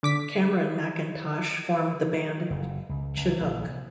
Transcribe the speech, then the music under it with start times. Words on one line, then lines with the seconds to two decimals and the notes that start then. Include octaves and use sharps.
Cameron MacIntosh formed the band Chinook.
0.03 D3 D6 B6
2.50 F#1
2.89 C#2
3.17 C#2
3.41 A#1
3.63 C3